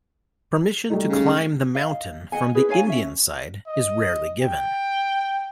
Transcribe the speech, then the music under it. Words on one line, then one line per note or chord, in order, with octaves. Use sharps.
Permission to climb the mountain from the Indian side is rarely given.
G3 A3 D#4
C#3
D#5 F5
D#5 F#5 G#5
E4 G#4 B4
D#4 C#5 F5 G#5
C#4 E5
D#5
G5